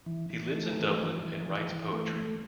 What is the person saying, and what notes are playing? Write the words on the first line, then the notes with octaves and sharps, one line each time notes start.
He lives in Dublin and writes poetry.
E3
E3
A3
E3
E3
E3
E3
E3
A3
A3